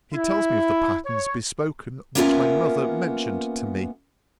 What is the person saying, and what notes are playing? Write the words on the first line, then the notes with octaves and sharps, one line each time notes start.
He tells me of the patterns bespoken which my mother mentioned to me.'
E4
C#5
A#3 B3 C#4 F4 A#4 E5